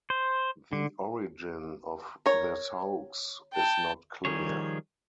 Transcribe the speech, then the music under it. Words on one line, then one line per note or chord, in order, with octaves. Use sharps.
The origin of this hoax is not clear.
C5
D3
A#4 C#5
G5 A5
D#3 F3 G3 G#4 C#5